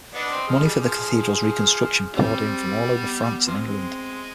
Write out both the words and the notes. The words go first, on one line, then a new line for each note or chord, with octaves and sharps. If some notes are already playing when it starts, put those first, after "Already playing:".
Money for the cathedral's reconstruction poured in from all over France, and England.
B3 D4 D#5
C4
F3 G#4
G3
F3
G3 C4
B3
C3 F3 G#3 C4